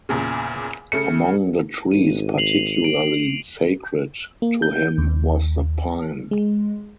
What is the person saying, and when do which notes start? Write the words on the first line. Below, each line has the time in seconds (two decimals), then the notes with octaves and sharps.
Among the trees particularly sacred to him was the pine.
0.09 E2 A#2 C#3
0.92 C#3 A3 C#7
1.92 G#1 D#7
2.38 C7 F7 F#7
2.84 D7
4.42 A#3
4.62 G6
4.98 D#2
6.31 G#3